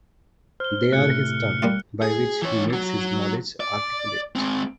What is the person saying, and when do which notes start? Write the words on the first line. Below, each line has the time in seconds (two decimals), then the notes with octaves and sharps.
They are his tongue, by which he makes his knowledge articulate.
0.60 C5 F6 G7
0.92 A2 C3 A3 F#6 C#7
1.62 G3 A#3 F4
2.02 G#4
2.42 E3 C#5
2.73 F#3 F#4
3.60 D5
4.36 G#3 C4